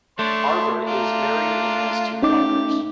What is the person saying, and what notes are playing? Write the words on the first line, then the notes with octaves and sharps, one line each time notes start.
Arber is married and has two daughters.
A3 D4 C#5 C6
D4 F4 A#5
C#4 D#4 G4 D6